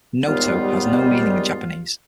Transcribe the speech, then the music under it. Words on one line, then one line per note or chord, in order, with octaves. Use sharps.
"Noto" has no meaning in Japanese.
D#2 G#2 G3 B3 F4